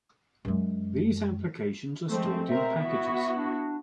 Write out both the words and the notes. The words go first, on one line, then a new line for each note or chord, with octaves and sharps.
These applications are stored in packages.
F#2 G#3
F3 G#3 A3 C4
B2 C4 A#4 E5
B3 E4 F#4
D4